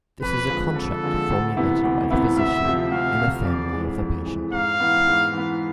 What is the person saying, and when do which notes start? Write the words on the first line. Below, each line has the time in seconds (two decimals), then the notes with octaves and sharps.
This is a contract formulated by the physician and the family of the patient.
0.23 F2 B4
0.49 D3 F3 G#3
0.76 F2 A4
1.03 D3 F3 G#3
1.30 D2
1.57 C3 E3 B3 E4
1.84 D2
2.11 C3 E3 B3 E4
2.37 D2 E5
2.64 C3 F3
2.91 D2 F5
3.18 C3 F3
3.45 F2 D5
3.72 E3 G#3
3.99 F2
4.26 E3 G#3
4.52 G#2 F5
4.80 E3 B3
5.07 G#2
5.33 E3 B3